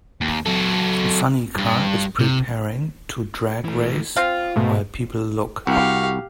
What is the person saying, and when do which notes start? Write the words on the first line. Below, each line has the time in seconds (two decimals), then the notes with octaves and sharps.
A funny car is preparing to drag race while people look.
0.21 D#2
0.46 F#3 A4
1.58 G2
2.19 C3
3.65 E3 A3
4.16 C4 F4 F5
4.56 G#2 B2 G#3 A3
5.67 C2 F#4 G4 F5